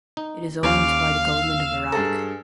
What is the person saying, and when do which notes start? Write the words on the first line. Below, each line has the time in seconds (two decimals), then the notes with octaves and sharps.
It is owned by the Government of Iraq.
0.17 D#4
0.63 D#2 C#4 F5 D6
1.42 E6
1.92 G2 G#4 A4 A#5